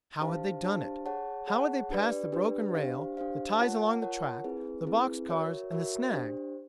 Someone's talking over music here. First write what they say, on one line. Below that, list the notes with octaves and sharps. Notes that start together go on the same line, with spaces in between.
How had they done it? How had they passed the broken rail, the ties along the track, the box-cars and the snag?
D4 G4 C5 F5 A5
D4 G4 C5 F5 A5
G#4 C#5 F#5 A5
G#4 C#5 F#5 A5
D4 G4 B4 D5
D4 G4 B4 D5
D4 G4 C5 F5
D4 G4 C5 F5
F4 A#4 C#5 F#5 A5
F4 A#4 C#5 F#5 A5
C4 E4 G#4 B4
C4 E4 G#4 B4
F#4 A#4 C#5 E5
F#4 A#4 C#5 E5
D4 G4 C5